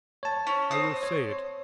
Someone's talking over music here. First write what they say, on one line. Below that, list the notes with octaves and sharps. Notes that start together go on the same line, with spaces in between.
I will say it.
C#5 A5
C#4
C4 D#6
C#5